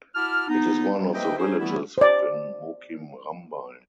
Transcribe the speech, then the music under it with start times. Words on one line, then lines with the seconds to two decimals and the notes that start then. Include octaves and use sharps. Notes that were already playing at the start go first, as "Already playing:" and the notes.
It is one of the villages within Mukim Rambai.
0.15 E4 F#4 A5 D6 F6
0.48 B3 D#4
1.14 A#3 B4 C5 D#5 E5 G5
1.38 C#4 D#4 G#4 C5
1.59 E3 G3 A3 B3 E4
1.98 C5 D5